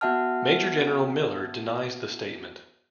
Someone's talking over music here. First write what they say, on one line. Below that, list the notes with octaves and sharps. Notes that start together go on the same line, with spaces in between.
Major General Miller denies the statement.
B3 F#4 E5 F#5 A5 F6